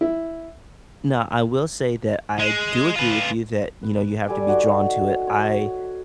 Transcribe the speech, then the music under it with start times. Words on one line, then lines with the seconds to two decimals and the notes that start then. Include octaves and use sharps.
No. I will say that I do agree with you that, you know, you have to be drawn to it. I
0.01 E4
2.39 G#3
2.96 F4 B4
3.83 B4
4.28 G3 A4 G#5 D6
4.47 D#4 F#4 C#5
5.27 C#5